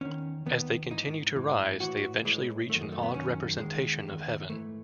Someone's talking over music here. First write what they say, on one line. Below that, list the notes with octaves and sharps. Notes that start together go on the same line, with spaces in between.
As they continue to rise, they eventually reach an odd representation of heaven.
E2 D#3 C#4
E2 D#3 B3
G#2 E3 D#4
G#2 E3
A2 E3 F#4
A2 E3 G#3
F#2 D#3 A3
G#3
A3
B3
F#2 D#3 C#4
E2 D#3 G#3
E2 D#3
G#2 E3 A3